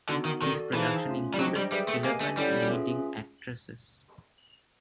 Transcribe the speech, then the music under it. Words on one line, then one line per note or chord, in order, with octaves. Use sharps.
This production included eleven leading actresses.
D3 B3 D#4 F#4
D#3
D#3 F#4 A4 D5
E3 D#4 G#4 C5 F5 A5
A3 C#4 F4
G3
F#3 D4 G4 C5 D#5 G5
G3
G3 G#4 B4 E5 G5
A3
A#3 G4 B4 D#5 G#5
A3
G3 C#4 E4 A4 C#5 F#5
C#4 F4 G#4 B4 E5